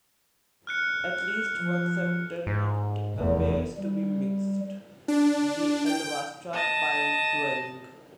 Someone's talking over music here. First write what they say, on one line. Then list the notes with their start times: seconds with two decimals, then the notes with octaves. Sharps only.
At least one settlement appears to be mixed, the Alvastra pile-dwelling.
0.67 F6 F#6 C#7
1.57 F3
2.47 G#2
3.16 F1 E2
3.78 G3
5.08 D4
5.86 G5
6.53 D#5 A5